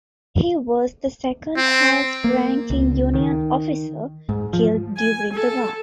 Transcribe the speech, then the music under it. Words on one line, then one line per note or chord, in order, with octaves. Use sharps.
He was the second highest ranking Union officer killed during the war.
C4
A#3
C#2
D#3
G#2
F3
G#5
A4